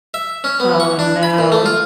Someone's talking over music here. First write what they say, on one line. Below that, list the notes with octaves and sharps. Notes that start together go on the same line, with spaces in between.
Oh no.
E5
C#4
B3
C#6
D4
B5
A#2
A3
F4